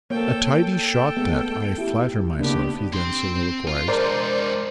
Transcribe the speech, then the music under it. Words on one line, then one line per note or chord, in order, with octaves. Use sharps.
'A tidy shot that, I flatter myself,' he then soliloquised.
A#3 A4 C#5 G5
A4 G5
A3 B3 G#4
E4 G4
C#3 A#3 B3 D4 G4
C4 C6
F4
G#3 D4 A#4 C5 D5